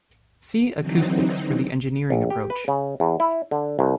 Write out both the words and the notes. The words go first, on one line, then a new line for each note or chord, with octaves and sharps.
See acoustics for the engineering approach.
D3 E3 F#3 C4 D#4
A#1
G4
B4
C#3
E2
E4
D3
C2